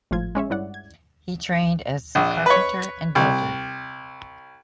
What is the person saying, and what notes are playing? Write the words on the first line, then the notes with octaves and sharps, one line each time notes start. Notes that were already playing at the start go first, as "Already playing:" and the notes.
He trained as carpenter and builder.
G#1 A2 F3 F4 G#6
G#3 C#4 C#5 E5
G2 E4 D5 F#5
G#6
A#1
B4 C#5
C2